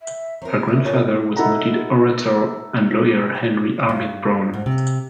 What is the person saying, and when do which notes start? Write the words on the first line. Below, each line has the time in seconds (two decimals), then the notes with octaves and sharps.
Her grandfather was noted orator and lawyer Henry Armitt Brown.
0.01 E5
0.42 C4 A#4 C#5 A#5
0.68 C3 F#3 B3 E5
0.85 G3 D4 F4 A4 A#4 C#5
1.37 D#4 E4 A4 F#5 A#5
3.89 G2
4.54 G#2
4.66 C3